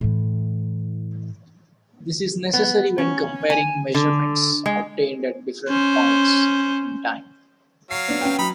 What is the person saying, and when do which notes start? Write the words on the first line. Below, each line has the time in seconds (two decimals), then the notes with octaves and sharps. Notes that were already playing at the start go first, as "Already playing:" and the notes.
This is necessary when comparing measurements obtained at different points in time.
0.01 A2 E3
2.53 B3
2.98 C#4
3.50 G#5
3.95 D3
4.66 G#3
5.68 C#4 C5
7.91 F#3 F5 C7
8.08 B3 D4
8.21 C#4 B4 G5
8.39 F#3 D#4 B5